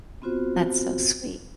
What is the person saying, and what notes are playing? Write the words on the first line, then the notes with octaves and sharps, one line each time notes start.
That's so sweet.
B3 C4 F4 F#4 C5